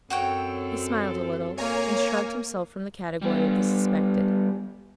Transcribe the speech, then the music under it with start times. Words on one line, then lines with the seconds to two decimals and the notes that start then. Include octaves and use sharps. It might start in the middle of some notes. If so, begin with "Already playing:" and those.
He smiled a little, and shrugged himself from the category of the suspected.
0.10 F#2 C4 F#4 A4 C#5 G5
1.58 A#3 C#5 G#5 A#5
3.22 G3 B3